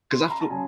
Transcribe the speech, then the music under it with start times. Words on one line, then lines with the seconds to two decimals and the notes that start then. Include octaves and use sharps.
'Cause I feel
0.11 C6
0.21 B5
0.30 A#5
0.41 A5
0.50 C#3 F#3 G#5